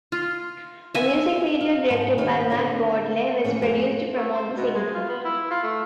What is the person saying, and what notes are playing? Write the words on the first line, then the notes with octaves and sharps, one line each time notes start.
A music video directed by Matt Broadley was produced to promote the single.
F4
E5 G#5
F5
G#2 G3 D#4 C5 A5
D#3 B3 D#4 G4 C#5 F5
D3 F4 C#5
D#3 E3 A3 A#3 C#4
F2 A3 G#4 C5
A3
C5
B2
G#3
F4
B3
E4
F4
A3